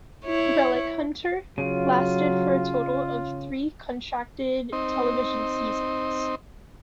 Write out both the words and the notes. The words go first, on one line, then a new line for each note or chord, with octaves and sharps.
"Relic Hunter" lasted for a total of three contracted television seasons.
E4 C#5
C#3 F#3 F4
C4 D#4